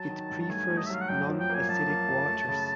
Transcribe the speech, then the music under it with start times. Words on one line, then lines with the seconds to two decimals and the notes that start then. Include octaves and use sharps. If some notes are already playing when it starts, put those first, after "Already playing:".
It prefers non-acidic waters.
Already playing: F#3 A5
0.10 D#3
0.30 G2
0.42 A5
0.50 A3 G#5
0.70 A3
0.78 D#5
0.86 E5
0.90 F#3 F5
1.01 F#5
1.09 F#2 G5
1.29 F3
1.40 G5
1.50 A#3 G#5
1.69 F#2 A5
1.89 A#3
2.09 F#2
2.28 A3
2.49 C#3